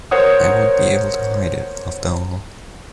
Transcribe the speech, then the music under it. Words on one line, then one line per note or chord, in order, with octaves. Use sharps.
I won't be able to hide it after all.
A#4 C5 C#5 F#5 D#6